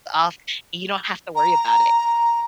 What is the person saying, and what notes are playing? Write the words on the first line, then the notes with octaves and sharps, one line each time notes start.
off, and you don't have to worry about it.
A#5